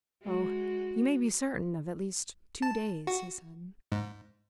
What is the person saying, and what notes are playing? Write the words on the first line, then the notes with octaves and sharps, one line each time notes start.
"Oh, you may be certain of at least two days," he said.
G#3 F#4
A5
F#4
G#2